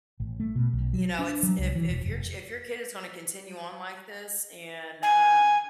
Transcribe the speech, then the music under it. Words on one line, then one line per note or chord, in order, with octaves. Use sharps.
you know, it's if if your ch if your kid is gonna continue on like this and, um
A1
A3
B2
B1
F#3
D4
F#3
C2
E3
E1
F1
G#5